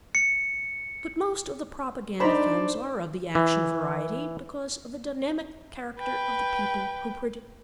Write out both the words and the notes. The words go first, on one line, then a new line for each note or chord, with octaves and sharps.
But most of the propaganda films are of the action variety, because of the dynamic character of the people who produce them.
C#7
D4 D#4 C5 D5 A#5 B5
E3
B4 G5